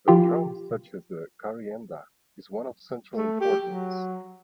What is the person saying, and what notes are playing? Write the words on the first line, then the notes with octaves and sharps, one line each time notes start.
The drum such as the "karyenda" is one of central importance.
F3 F4 G4
A3
G4
F#3